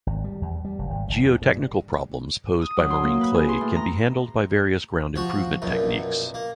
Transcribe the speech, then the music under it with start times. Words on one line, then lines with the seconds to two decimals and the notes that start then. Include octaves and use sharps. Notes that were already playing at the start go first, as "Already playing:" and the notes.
Geotechnical problems posed by marine clay can be handled by various ground improvement techniques.
0.07 G#1
0.24 G3
0.42 E2
0.65 G3
0.79 F1
0.90 G#1
1.09 F#1
1.25 E2
1.42 G2
2.62 D#6
2.77 F#3
2.90 C6
3.04 A#3
3.21 B4
3.35 G#4
3.49 C6
3.61 A2
3.76 A#5
5.16 F3 F#4
5.62 B1 F#2 A#2
6.34 A#3